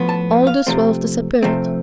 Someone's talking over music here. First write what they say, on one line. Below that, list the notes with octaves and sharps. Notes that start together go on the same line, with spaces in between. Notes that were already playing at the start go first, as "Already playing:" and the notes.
All this wealth disappeared.
Already playing: A2 F3 B3
A5
F5
C3 F3 A3 C4
C3 F3 A3 C4